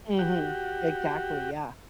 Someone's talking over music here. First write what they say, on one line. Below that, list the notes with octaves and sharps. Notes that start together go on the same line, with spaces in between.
Mhm, exactly, yeah.
F#4 G4